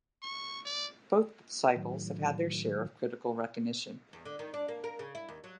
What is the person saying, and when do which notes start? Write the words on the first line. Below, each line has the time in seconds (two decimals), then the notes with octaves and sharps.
Both cycles have had their share of critical recognition.
0.22 C#6
0.65 D5
1.76 A2 D#3 F#3
4.13 E2
4.25 D3
4.39 D#3
4.54 D4
4.68 A#3
4.84 A#4
4.99 C#3
5.15 E4
5.29 D#2
5.44 F#3